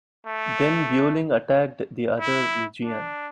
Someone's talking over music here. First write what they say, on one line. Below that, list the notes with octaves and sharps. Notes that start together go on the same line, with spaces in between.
Then Beurling attacked the other Reggiane.
A3
E4
D4